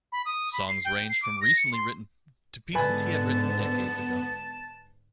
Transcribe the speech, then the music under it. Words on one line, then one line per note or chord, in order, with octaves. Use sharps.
Songs ranged from recently written to pieces he had written decades ago.
B5
D#6
B5
C7
G5
C7
D6
A#6
C#7
C6
G#2 D3 B3 B4 G#5 A5 B5